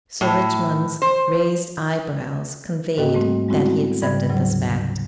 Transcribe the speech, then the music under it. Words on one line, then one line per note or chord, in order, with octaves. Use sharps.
Sir Richmond's raised eyebrows conveyed that he accepted this fact.
A2
C5
G#2 A#3 F#4 A4 D#5 G5
G3 A3 C4
G3 G#3 B3 C4 E4 F#4
G#2 C#3 G3 D5 B5 G#6
D2 G#2 C3 F#3